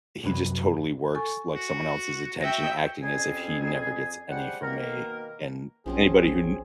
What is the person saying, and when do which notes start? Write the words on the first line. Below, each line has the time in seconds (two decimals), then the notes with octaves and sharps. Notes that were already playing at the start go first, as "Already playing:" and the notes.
he just totally works like someone else's attention, acting as if he never gets any from me, and anybody who kn
0.24 C2 F#2 F#3 B4
1.15 A4 G#5 C#6
1.55 F#4
2.41 F#4 E5 G5 G6 A#6
3.03 F2 G3 C4 C#4 G#4 G#5
4.30 G3 G#3 C5 F#5
4.63 B2 D#3 A#3 A#4
5.86 A#1 F#2 F3 C4 C#4 G#4